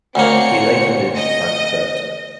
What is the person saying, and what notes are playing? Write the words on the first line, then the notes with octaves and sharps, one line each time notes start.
He later moved to Frankfurt.
D2 A#3 C4 C#5 C#7
D#5 A#6